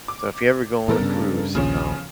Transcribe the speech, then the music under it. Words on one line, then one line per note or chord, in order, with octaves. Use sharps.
So, if you ever go on a cruise, um,
D6
A2 E3 B3 A4 A#4
G2 C#3
A#1 D#2 C#3 F3 C#4